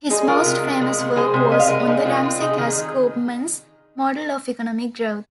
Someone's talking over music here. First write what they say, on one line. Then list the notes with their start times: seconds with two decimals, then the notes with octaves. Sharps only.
His most famous work was on the Ramsey-Cass-Koopmans model of economic growth.
0.10 G#3 D#4 G#4
0.28 G#3 F4 A#4
0.46 C3
0.64 C3
0.81 G#3
0.99 C3
1.16 G#3 G#4 C5
1.34 C3
1.51 C3 D#5
1.59 F5
1.67 G#3 A#4 D#5
1.87 C3 D#4 G#4
2.05 G#3 C4 F4
2.22 G#3 C4 F4
2.41 C3 D#4 G#4
2.58 D#3 D#4 G#4